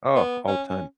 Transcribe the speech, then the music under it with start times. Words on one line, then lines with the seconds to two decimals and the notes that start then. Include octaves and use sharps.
Oh, all the time.
0.15 B3
0.48 C#4
0.69 C#4